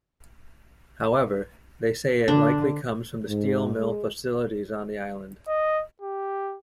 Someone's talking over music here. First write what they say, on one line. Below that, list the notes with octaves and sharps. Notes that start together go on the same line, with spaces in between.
However, they say it likely comes from the steel mill facilities on the island.
D3 D4
G#2
G#3
D#5
G4